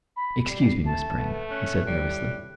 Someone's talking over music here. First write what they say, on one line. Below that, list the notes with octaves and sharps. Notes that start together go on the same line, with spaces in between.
"Excuse me, Miss Vrain," he said nervously.
B5
G3 C7
A3 A5
A3 B3
C#4 F#6
A2 G3